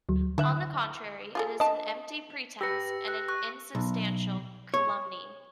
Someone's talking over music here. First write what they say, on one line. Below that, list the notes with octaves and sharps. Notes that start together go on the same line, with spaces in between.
On the contrary it is an empty pretense and an insubstantial calumny.
D2 F#3
D3 E3 E5 F#6
F4 G#4 A4
D4 D#5 A5
G4 B4 E6 A#6 C#7
F#6
C#6 F#6
B1
C#5